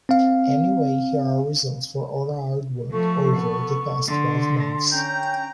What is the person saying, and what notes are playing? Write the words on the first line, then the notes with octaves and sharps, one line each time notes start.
Anyway here are results of our hard work over the past twelve months.
C4 F5
F3 A3 A4 C#6
B3
D3 C6
C#4 G5 A#5 G6